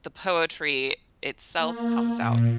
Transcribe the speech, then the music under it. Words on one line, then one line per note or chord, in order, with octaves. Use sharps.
the poetry itself comes out
A#3
A#2